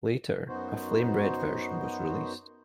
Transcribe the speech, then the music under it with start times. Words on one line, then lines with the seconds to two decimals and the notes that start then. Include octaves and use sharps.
Later, a Flame Red version was released.
0.48 F#2 B3 D#4 F#4 C5